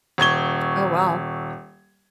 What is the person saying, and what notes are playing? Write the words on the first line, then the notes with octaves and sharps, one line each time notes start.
Oh wow.
D#1 C#6 G#6 G7